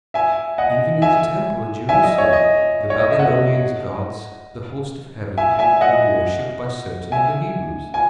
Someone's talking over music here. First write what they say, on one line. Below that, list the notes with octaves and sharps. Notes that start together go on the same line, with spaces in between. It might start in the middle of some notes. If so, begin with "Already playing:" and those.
Even in the temple at Jerusalem the Babylonians' gods, the host of heaven, were worshipped by certain of the Hebrews.
E5 G#5
D#5 F#5
E5 G#5
E5 G#5
D#5
C#5
D#5
C#5
D#5
E5
D#5 F#5
E5 G#5
E5 G#5
D#5 F#5
E5 G#5
G#5